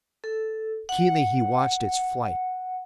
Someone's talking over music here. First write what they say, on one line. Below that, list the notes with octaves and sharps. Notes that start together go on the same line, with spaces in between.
Keenly he watched its flight.
A4
F#5